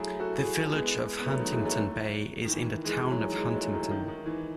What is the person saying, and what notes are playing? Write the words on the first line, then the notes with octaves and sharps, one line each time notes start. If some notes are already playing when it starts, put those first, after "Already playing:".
The Village of Huntington Bay is in the town of Huntington.
Already playing: F#3 A3 E4 G#4
F#4 A4
E4 G#4
G#3 B3
B3
F#3 A3
D#3 F#3
E3 G#3
F#3 A3
D#3
E3
E3
E3 G#3
D#3 F#3
E3 G#3
F#3 A3
D#3 F#3
D#3
D#3
E3